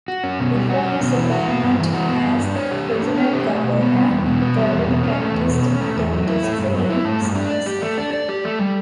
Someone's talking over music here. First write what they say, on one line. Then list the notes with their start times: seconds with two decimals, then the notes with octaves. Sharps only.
Before his appointment as Lieutenant-Governor, Doiron practiced dentistry in Summerside.
0.08 F#4
0.24 C#4
0.39 B2
0.55 G3
0.70 F#4
0.86 C#4
1.01 B2
1.17 E3
1.31 F#4
1.48 B3
1.63 G2
1.78 E3
1.94 F#4
2.09 B3
2.25 G2
2.40 D4
2.56 C#5
2.71 G4
2.87 A3
3.02 D4
3.18 C#5
3.33 G4
3.49 A3
3.64 B2
3.80 B3
3.95 G3
4.10 E2
4.26 B2
4.42 B3
4.58 G3
4.73 E2
4.88 B2
5.03 C#4
5.19 A3
5.34 E2
5.50 B2
5.65 C#4
5.81 A3
5.96 E2
6.12 F#3
6.27 E4
6.43 A3
6.59 G2
6.74 F#3
6.90 E4
7.05 A3
7.21 G2
7.35 D4
7.51 D5
7.66 G4
7.82 A3
7.98 D4
8.13 D5
8.29 G4
8.44 A3
8.59 G3